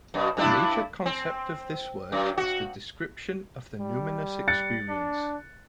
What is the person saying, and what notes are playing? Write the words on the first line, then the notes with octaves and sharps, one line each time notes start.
A major concept of this work is the description of the numinous experience.
F#2 B2
G2 D4 E4
C4
F#2
F#4
G3
F#6 A6 C#7
D4